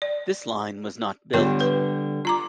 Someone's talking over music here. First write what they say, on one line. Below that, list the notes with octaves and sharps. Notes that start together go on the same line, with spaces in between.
This line was not built.
D5
D3 G3 B3 F4 C#5
B4
F4 A#5 D6